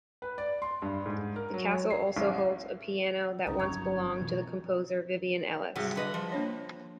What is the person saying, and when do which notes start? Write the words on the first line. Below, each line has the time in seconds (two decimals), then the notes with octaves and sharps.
The castle also holds a piano that once belonged to the composer Vivian Ellis.
0.22 B4
0.38 D5
0.62 C6
0.82 G2
1.06 G#2
1.36 A#4
1.54 F#3
1.71 C#5
1.90 C7
2.16 A1
3.47 C2 F2 C#3 D#4
3.59 G1 F#2 C#5
4.21 B2 E3 F3
5.76 G#2 C3 F#3 G3 G#4 F#5
5.96 D3 B4 D#5
6.14 F3 C6
6.32 A#3 D4 C#5